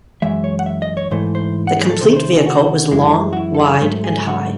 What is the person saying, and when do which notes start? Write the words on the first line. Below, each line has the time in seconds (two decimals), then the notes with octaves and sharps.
The complete vehicle was long, wide and high.
0.22 F#2 E3 G#3 E5
0.44 C#5
0.59 F#5
0.66 E5
0.82 D#5
0.97 C#5
1.11 G#2 E3 A3 C5
1.35 C5
1.67 F#5
1.79 G#4
1.90 A4
2.01 C3 D#3 A3 C5
2.16 C5
2.32 G#4
2.46 F#4
2.91 F#2 E3 G#3 E4
3.33 F#4
3.37 E4
3.55 A4
3.59 G#4
3.81 G#2 F#3 A3 C5
4.04 G#4
4.27 F#4